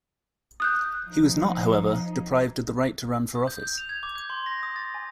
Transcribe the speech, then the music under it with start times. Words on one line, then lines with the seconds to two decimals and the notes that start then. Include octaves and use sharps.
He was not, however, deprived of the right to run for office.
0.60 D#6 F#6 G6
1.05 F3 D#4
3.35 D#6
3.47 G6
3.64 G6
3.78 F7
3.89 G#6
4.03 D6
4.15 G6
4.30 C6
4.46 A#6
4.63 D#6
4.76 A6
4.94 G#5